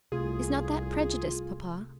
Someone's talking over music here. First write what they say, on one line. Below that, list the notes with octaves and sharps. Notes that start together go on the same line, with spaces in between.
"Is not that prejudice, papa?"
C2 C3 A3 F4 G#4